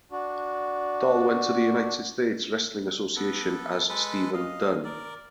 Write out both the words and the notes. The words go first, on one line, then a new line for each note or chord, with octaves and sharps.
Doll went to the United States Wrestling Association as Steven Dunn.
D4 F#4
B3 A4
G#3 A4 B4
D#5 F5
A#4 D5